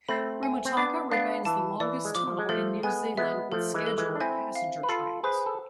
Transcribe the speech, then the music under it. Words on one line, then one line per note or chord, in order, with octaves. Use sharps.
Rimutaka remains the longest tunnel in New Zealand with scheduled passenger trains.
A3 C4 B5
G#5
C4
B3 D4 D6
B3 D4 F5
E3 A5
E3 D5
G#3
F3 D6
F3
G#3
F3 A3 A4
G#3 B3 G#5
G#3 B3 E5
F3 A3 A4
E3 G#3
A4
E3 G#3
D4
C4 E4 G#5
F5
B4
F4 A4 B5
G#4 B4 C5
A4